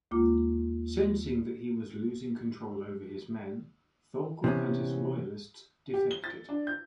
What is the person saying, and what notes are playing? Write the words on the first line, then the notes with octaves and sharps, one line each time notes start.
Sensing that he was losing control over his men, Thorkell and his loyalists defected.
D#2 G#3 A#3 F4 D6
C3 E3 B3 C#4
G4
G7
A6
D4
G6